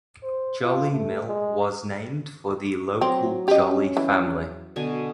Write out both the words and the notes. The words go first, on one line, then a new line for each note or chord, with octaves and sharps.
Jolly Mill was named for the local Jolly family.
C5
F4
A3
G#3
F#3 C4 A#5
C#4 G4 D#5
E3
B2 D3 G#5